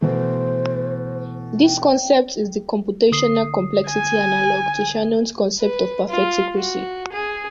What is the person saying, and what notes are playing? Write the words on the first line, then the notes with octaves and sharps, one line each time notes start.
This concept is the computational complexity analogue to Shannon's concept of perfect secrecy.
B2 E3 A3 C5
G5
D3 D#6 C7
G#5
B4
F4
F#4
G#4